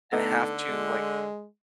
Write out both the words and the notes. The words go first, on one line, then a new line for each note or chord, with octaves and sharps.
and have to like
D3 A3 B3 D#4 A4
G#3